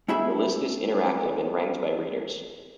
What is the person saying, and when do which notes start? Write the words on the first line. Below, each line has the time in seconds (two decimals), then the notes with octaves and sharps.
The list is interactive and ranked by readers.
0.08 A3 B3 E4 G#4 E5 B5